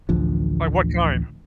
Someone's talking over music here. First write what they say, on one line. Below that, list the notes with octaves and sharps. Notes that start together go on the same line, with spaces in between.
Like, what kind?
A1 D2 D3 F3